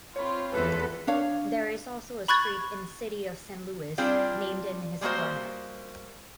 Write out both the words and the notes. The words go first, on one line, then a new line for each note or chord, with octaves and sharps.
There is also a street in city of Saint Louis named in his honor.
C4 F4 C#5 B5
E2 A4 B4
D4 C#5 F5
B5 C#6 F#6 G#6 A6
G3 C4 D4 F4 G#4
G3 G#3 A#3 F#4 C5